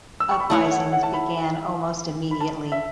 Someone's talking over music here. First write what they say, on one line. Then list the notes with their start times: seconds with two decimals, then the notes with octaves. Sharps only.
Uprisings began almost immediately.
0.20 E6
0.31 C#6
0.40 B5
0.50 A3 E4 C#5 A5
0.71 F#5
0.92 F#5
1.03 A5
1.14 B5
2.31 B5
2.40 A5
2.72 E5